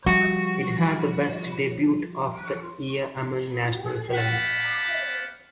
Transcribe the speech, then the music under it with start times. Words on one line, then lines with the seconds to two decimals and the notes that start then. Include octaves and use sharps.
It had the best debut of the year among national films.
0.06 F3 G3 F#4
4.14 C4 G4 F5 F#5 A5 B5